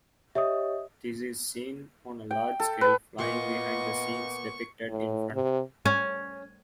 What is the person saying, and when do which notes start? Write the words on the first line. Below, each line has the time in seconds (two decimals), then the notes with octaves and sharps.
This is seen on a large scale flying behind the scenes depicted in front.
0.35 G4 C#5 D#5 E5 D#6
2.31 G5
2.60 A4
2.81 B4
3.19 A#2 B3 F4 D#5 C#6
4.89 A2
5.34 C3
5.86 C#4